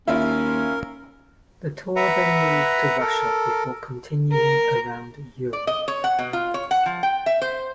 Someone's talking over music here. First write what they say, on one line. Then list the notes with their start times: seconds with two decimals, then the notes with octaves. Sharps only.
The tour then moved to Russia, before continuing around Europe.
0.07 D#2 C#4 E4 F4 A#4
1.96 B4 E5 F#5 A#5
3.00 A4 A#4
4.33 A#4
5.53 D5
5.67 D#5
5.88 C#5
6.04 F#5
6.19 B2
6.33 F4
6.54 C#5
6.71 F#5
6.86 F3
7.03 G5
7.26 E5
7.42 C5